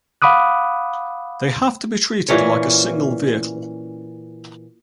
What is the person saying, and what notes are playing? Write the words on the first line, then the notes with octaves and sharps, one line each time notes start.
They have to be treated like a single vehicle.
F5 F#5 B5 D6 D#6 F#6
A#2 E3 C#4 C#5